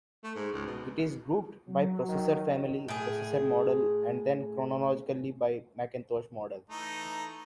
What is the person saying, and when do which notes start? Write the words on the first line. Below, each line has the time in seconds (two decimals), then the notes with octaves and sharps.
It is grouped by processor family, processor model, and then chronologically by Macintosh model.
0.23 A3
0.35 G#2
0.52 C#2
0.66 B2
1.66 F#3
2.09 D#3
2.88 A2 G#4
6.70 E3 A3 D#4